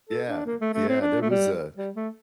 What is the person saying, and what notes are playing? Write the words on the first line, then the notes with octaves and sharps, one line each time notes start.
Yeah, yeah, there was a
A4
D4
A#3
A3
A3
C4
D4
A3
G3
G3
A3